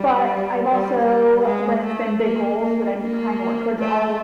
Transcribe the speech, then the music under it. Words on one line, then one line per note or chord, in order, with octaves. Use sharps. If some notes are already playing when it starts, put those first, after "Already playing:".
but I've also when it's been big goals that I'm trying to work towards, I'll
Already playing: G3
G3
G3
G#3
A3
A#3
A#3
A#3
A3